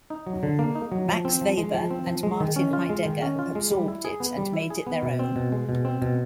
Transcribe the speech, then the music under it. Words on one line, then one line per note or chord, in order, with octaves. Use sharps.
Max Weber and Martin Heidegger absorbed it and made it their own.
D#4
F#3
D3
A#3
D#4
F#3
F3
C4
F3
G#3
F3
C4
F3
G#3
D#3
C#4
F4
G#3
D#3
C#4
F4
G#3
G3
E4
G#4
B3
G3
E4
G#4
B3
B2
C4
B2
G#3
B2
C4
B2